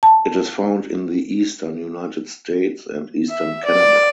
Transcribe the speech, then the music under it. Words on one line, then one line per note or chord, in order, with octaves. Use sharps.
It is found in the eastern United States and eastern Canada.
A5
E5
D5